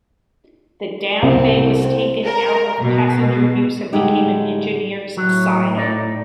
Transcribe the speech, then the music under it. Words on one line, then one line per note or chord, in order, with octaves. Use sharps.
The down bay was taken out of passenger use and became an engineer's siding.
C2 C4
A#4
B2
A2 D3 G3 G#3 D#4 G4
A2 F#3
D#4 D5